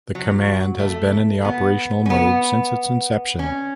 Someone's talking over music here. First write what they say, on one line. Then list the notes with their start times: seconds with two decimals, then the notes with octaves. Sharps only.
The command has been in the operational mode since its inception.
0.15 F#3
0.80 A3
1.45 B3
2.06 C#4
2.10 B3
3.39 C#4